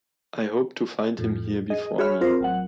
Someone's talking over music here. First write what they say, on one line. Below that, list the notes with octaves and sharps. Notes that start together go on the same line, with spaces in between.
I hoped to find him here before me.
F2 A2
G#4 D#5
F#4 G#4 C#5 E5 B5 F6
C4 F4 A#4 C5
A1 F#3 F#5